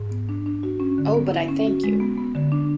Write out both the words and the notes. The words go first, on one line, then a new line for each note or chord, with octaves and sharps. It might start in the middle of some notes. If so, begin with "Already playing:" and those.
Oh, but I thank you!
Already playing: G#2
B3
D4
D4
F#4
C#4
D3
B3
E4
C#4
F#4
G#3
B3
B3
D3
D4